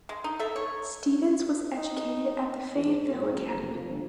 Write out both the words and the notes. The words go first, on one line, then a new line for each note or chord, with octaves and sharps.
Stephens was educated at the Fayetteville Academy.
G#3
D#4
A4 E5
C#5
D#4
E2
G#2
A#2
G#2
F#1
F1
F3
G1